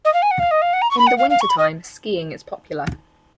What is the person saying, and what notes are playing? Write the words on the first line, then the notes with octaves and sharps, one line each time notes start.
In the wintertime, skiing is popular.
D#5
F5
G#5
F#5
F5
D#5
F5
F#5
A#5
C#6
B5
F#5
F5
F5
C#6
B5
D#5